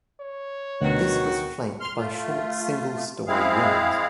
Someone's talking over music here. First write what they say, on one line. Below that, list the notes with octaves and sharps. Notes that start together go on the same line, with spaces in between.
This was flanked by short single-storey wings.
C#5
D2 B2 D#3 F#4
C6 F6
A3 F4
G#3 C4 E4 G#4 F5